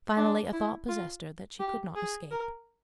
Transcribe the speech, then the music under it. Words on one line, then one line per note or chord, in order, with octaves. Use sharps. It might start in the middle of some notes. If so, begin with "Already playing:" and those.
Finally a thought possessed her that she could not escape.
D4
E4
F4
G4
G#4
A#4